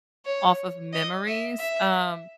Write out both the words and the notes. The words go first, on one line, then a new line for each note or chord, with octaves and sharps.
off of memories, um,
C#5
D#5
E5
E5